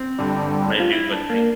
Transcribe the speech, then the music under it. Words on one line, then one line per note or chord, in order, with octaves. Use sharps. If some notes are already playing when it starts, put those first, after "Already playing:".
when I do good things
Already playing: C4
G1 G2 D3 G3
F4
E4
D4
A#3